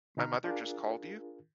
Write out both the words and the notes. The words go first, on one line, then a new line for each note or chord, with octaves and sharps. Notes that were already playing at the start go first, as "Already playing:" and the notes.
My mother just called you?
B2 D3 D#4 A#5 F6
D4 F4 G#4 A#4